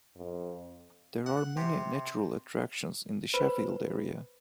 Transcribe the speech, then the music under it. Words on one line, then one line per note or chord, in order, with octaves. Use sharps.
There are many natural attractions in the Sheffield area.
F2
F#5
C3
B4 C5 B5